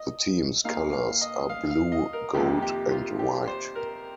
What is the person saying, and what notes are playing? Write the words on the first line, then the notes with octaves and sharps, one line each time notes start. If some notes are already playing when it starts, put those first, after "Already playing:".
The team's colors are blue, gold and white.
Already playing: D#5
A#2 A#3 D#4 F5
F5
D#5
F5
F5
D#5
A#4
F2 C3 D#3 A#3 G4
G4
F4
G4
C5
A#4